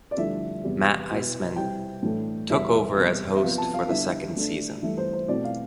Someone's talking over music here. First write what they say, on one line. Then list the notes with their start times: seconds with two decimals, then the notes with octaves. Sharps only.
Matt Iseman took over as host for the second season.
0.11 D5
0.17 G2 D3 F3 A3 E4 E5
0.64 E2 C3 G3 B3
1.11 B2 B3 E4
1.56 C3 G3 C4 E4 G5
2.02 A2 E3 A3 D4
2.49 E2 B2 G3 B3 E4 E5
2.96 E2 C3 G3
3.35 E5
3.42 C3 F3 B3 F5
3.58 A5
3.74 F5
3.89 D3 G3 B3 E4 E5
4.36 D3 A3 D4
4.82 G2 E3 A3 E5
4.97 C5
5.13 C5
5.28 B2 A3 C4 E4 D5
5.44 F5